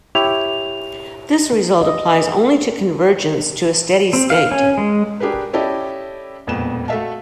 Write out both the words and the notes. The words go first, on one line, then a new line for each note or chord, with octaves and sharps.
This result applies only to convergence to a steady state.
E4 G4 C#5 F7
D#5
C4
F5
C#4
G#3
D4 G4 G#4 A#4 B4
C#4 E4 G4 A4 D5 D#5
E1 F2 A#2 B3 E7
A3 F#4 A4 E5 F5 A5